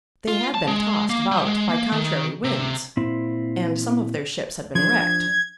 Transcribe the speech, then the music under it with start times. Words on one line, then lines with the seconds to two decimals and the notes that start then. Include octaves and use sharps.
They had been tossed about by contrary winds, and some of their ships had been wrecked.
0.28 F4
0.54 A5
0.67 G#3
1.10 A#3
1.31 G3
1.45 G#3
1.69 A#3
1.92 D#3
2.44 C3
2.97 A#2 C4 E4
4.75 F3 D4 G#6